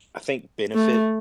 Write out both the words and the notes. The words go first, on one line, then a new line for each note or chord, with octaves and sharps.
I think, benefit
A3